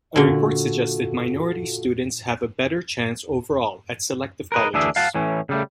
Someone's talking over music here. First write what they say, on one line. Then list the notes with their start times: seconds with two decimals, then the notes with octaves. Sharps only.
A report suggested minority students have a better chance overall at selective colleges.
0.16 A#2 D3 F4 F#4 A4
4.52 A#4 B4 D#5
4.74 D2 E3 D4 G#4 E5
4.96 F5 F#5 A5
5.15 A2 E3 C#4
5.49 C#3 G3 A3